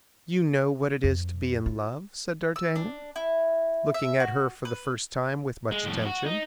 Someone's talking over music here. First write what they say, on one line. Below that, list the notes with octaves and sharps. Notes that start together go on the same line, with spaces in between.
"You know what it is to be in love?" said d'Artagnan, looking at her for the first time with much attention.
F2
F4
E6
D4
E4
E5
F#4
B4
G#3
F2 A2
F#4
D#4